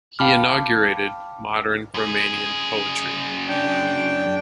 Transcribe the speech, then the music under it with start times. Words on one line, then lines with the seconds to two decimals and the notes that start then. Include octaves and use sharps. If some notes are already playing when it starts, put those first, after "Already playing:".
He inaugurated modern Romanian poetry.
0.19 F5 G5 A5 B5 D6 F6
1.94 F#2 G#4
3.48 D4 G5